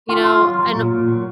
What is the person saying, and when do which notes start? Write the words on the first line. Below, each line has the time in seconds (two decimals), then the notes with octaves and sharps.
you know, and
0.09 F4
0.25 F4
0.42 F#3
0.59 F#3
0.75 A#2
0.92 A#2
1.08 F#3